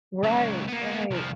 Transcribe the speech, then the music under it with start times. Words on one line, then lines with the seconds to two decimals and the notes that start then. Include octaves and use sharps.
right, right.
0.23 C#2 F#3
0.68 A#3 B3
1.11 C2 F3